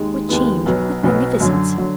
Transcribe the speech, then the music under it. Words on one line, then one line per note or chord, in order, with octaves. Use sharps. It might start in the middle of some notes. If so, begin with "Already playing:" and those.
What change--what magnificence!
Already playing: D#2 D#3 G#3
D#2 D#3 G#3 B3
B1 B2 F#3 B3
B1 B2 F#3 B3
F#2 D3 F#3
D3 F#3